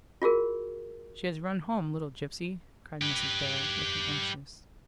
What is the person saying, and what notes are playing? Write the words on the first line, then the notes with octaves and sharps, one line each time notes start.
"She has run home, little gypsy!" cried Mrs. Bhaer, looking anxious.
F4 F#4 G#4 A#4
G4 B4